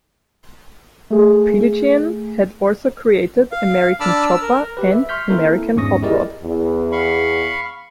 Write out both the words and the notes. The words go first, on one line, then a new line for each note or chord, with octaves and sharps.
Piligian had also created "American Chopper" and "American Hot Rod".
A3 G#4
F5
D4 A5 B5 D6 E6 F6
E6
A#4
G4 B4
E5
C6 C#6 F6 G6 B6
A#3 C4 E4 A4 A#4
E2 G#2 C#4 C#6 D#6 A#6
E4 G4 G#4 A#4 D5 D#5
E2
F5 B5 C#6